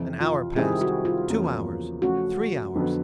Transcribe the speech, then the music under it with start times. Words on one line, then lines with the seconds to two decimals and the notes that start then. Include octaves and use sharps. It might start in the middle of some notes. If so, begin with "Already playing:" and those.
An hour passed ... two hours ... three hours.
Already playing: F2 C3 E3
0.21 F4
0.56 C3 D#3 G3 C4 E4 G#4
0.81 F#4
1.05 F4
1.29 E2 C#3 F3 A#3 C#4
2.02 C#3 F3 A3 C#4 F4 F#4
2.75 F2 D3 F#3 B3